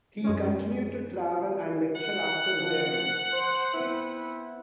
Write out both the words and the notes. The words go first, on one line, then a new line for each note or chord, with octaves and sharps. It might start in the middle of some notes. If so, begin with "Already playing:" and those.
He continued to travel and lecture after retirement.
F#2 G#3 C#4
F#5
F3
C5
B3 C4 E4